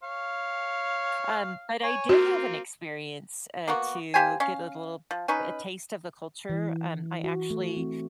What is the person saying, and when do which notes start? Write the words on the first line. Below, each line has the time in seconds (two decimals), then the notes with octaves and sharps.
Um, but I did have an experience, uh, to get a little a taste of the culture. Um, I actually
0.03 C#5 F5
1.83 C#5 G#5
2.09 A#3 C4 F4 F#4
3.68 A#3 B3 F#4
4.14 A#3 G4 C5 G#5
4.40 C#4 F5
5.11 F3
5.28 C#4 D#4 B4
6.50 E3
7.24 F#4
7.50 A3
7.77 C4